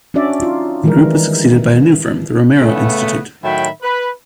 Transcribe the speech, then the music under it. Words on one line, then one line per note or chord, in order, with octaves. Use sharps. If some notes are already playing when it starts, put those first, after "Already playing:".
The group was succeeded by a new firm, the Romero Institute.
C#4 D4 F#4 D5 E5
D#4 F4
D#3 E3 G3 G#3 D#4 A#4
C#3 A3 B3
A2 D#3 F#3 E5 G5 B5
B4